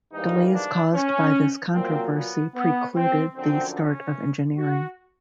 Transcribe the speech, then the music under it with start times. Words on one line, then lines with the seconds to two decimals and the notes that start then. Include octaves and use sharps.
Delays caused by this controversy precluded the start of engineering.
0.12 G#2 E3 G3 A#3 D#4
0.52 D4
0.93 C#4
1.73 A#2 F#3 A#3 C4
2.13 B3
2.55 B3
2.94 C4
3.35 F#2 D3 F3 C4
3.76 C#4
4.57 F#4